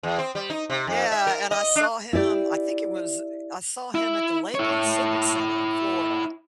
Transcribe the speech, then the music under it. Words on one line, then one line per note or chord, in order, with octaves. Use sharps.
Yeah, and I saw him, I think it was, I saw him at the Lakeland Civic Center in Florida.
E2
C4
G3
D#4
C3
F2
E5
A#4
D#5
D4
E4 G4 D5
E4
E4 C#5